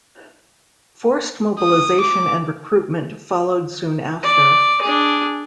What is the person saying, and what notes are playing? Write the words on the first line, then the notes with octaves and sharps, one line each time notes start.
Forced mobilization and recruitment followed soon after.
D#6
D6
D5
D4 G#4